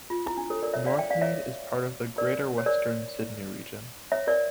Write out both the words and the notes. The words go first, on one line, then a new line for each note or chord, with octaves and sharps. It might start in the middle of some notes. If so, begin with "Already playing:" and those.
Northmead is part of the Greater Western Sydney region.
F4
E4
D4
A4 C#5
A#4 D5
C#5 E5
D5 F5
E5 G5
D5 F5
C#5 E5
A#4 D5
C#5
A#4 D5
C#5 E5
A#4 D5